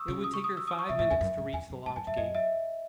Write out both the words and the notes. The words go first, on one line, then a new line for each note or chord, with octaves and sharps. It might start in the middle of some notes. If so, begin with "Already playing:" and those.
It would take her five minutes to reach the lodge gate.
Already playing: C#6 D#6 E6
C#3
D#6
C#6
D#6
E6
D#6
C#6
C3 E5
A2 E5
E2 G#5
F#2
G#2
E2 G#5
F#2
G#2 A5
F#2 G#5
F#2 E5
F#2 D#5
E5